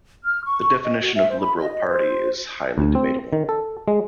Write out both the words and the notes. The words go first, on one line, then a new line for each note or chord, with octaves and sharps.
The definition of liberal party is highly debatable.
F6
C#6
D#5
F#4
E5
C5
B5
D#5
C5
D2
C4
D#3
A4
G#3